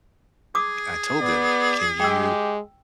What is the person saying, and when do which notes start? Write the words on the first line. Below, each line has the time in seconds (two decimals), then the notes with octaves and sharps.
I told them, "Can you"
0.55 G#4 D6 D#6
1.21 B3 D5
2.00 G#3 G4 G5 E6